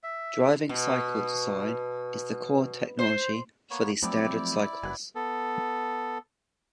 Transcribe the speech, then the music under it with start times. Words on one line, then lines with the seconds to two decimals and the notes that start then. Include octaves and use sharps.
Driving cycle design is the core technology for these standard cycles.
0.04 E5
0.69 B2
2.99 C5
3.70 A#3 B3 C#5
4.03 F3 F#3 A3 C4 E4 G4 D5
4.83 F#1 B4 F#5 G#5
5.15 B3 A4